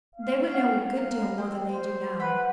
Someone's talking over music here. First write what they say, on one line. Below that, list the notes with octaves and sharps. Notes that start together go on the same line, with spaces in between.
They would know a good deal more than they do now.
F5
F#4 F#5 G5
A#4 F#6
C4 C5 G5
C5 F5
B4 C5 F#5 B5